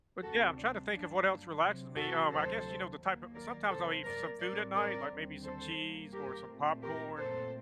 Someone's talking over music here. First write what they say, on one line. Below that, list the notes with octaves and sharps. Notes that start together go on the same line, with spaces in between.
But yeah, I'm trying to think of what else relaxes me. Um, I guess, you know, the type o sometimes I'll eat some food at night, like, maybe some cheese or some popcorn,
D2 C3 G3 C4 F#4 A4
D4
G2 F#3 A#3 D4
C3 F#3 C4
F#4 A4
D2 C3 F#3 A4 C5
D#2 D#3 F#3 A#3
A#4 D5
C3 F#3 A#3 A4 C5
A#4 D5
A2 G3 C4 A#4 D5
A#4 D5
D#2 D3 G3 C4
A4 C5
G2 D#3 G3 A#3
G4 A#4
A#2 A3 C4
G4 A#4
A#2 A3 C4 A4 C5